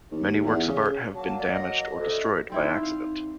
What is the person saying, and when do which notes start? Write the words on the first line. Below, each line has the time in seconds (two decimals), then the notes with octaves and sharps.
Many works of art have been damaged or destroyed by accident.
0.11 D#2
0.46 E2
0.69 C#3
1.14 F#3 A#3 A5
1.37 D5
1.51 D#5
1.99 D2 D#5
2.50 G3 C4 D#4 E4
2.83 F5